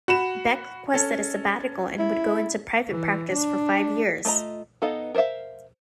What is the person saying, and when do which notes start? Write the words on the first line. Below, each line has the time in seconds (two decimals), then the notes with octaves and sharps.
Beck requested a sabbatical and would go into private practice for five years.
0.08 F#4 B5 E7
0.94 C#4 A4
1.99 E4
2.89 E3
3.32 D4
4.25 A3 F4 D#5 A#5
4.82 B3 D#4 A4 D#5 F5
5.15 A#4 C5 D5 E5 F5